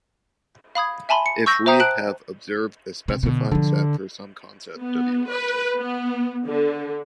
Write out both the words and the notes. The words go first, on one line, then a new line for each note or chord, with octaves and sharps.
If we have observed a specifying set for some concept w.r.t.
F5 B5 D#6 G#6
E5 G#5 A5 B5 C6
C#7
C#6 E6 G6 A#6
C5 E5 G5 A#5 D#6 G6
A5 F#6 D7 F#7
C3
B2 D3
D3 F3 B3
B3
B4
B3
D3